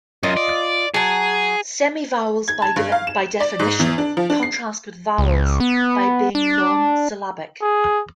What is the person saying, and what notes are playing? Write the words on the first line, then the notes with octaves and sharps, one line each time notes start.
Semivowels, by definition, contrast with vowels by being non-syllabic.
F#2 F4 D#5
D5
F#3 G#4 A5
G#6
A5
G2
F5
E7
D5
G#2
E2
D4
F3
D4
C7
C#2
B3
D4
G#4